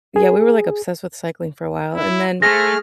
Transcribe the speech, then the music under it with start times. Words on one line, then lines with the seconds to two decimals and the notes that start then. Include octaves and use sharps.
Yeah, we were, like, obsessed with cycling for a while, and then
0.16 G#4
1.95 E4
2.42 A3 G#4 C5 F6 A#6